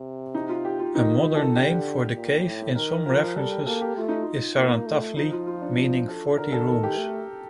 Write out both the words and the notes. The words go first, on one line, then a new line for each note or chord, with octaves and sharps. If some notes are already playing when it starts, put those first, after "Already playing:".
A modern name for the cave in some references is "Sarantavli", meaning "forty rooms".
Already playing: C3
D#4
F4
G4
F4
D#3 D#4
A4
D3 G4
A#2
A2
D#3 A#4
F3 A#4
G3 A4
G4
A#3 A4
G4
A3 F4
D#4
F4
A#3
A3
F3 D#4
F4
F4
D4
A4
D3 A#4
A4
D#3 A4
G4
A3